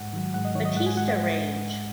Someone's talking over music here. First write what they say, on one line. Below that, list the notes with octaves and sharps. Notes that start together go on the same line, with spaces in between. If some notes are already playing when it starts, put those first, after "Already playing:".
Batista range.
Already playing: G#2 F#5
D#3 F#3
G#2 F#5
D#5
D#3 C#5
F#3
D#5
G#2 F#5
G#5
G#3 F#5
D#5